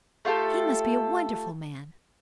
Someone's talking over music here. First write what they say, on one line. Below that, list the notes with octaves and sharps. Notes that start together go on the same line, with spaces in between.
"He must be a wonderful man."
A3 F4 G4 A4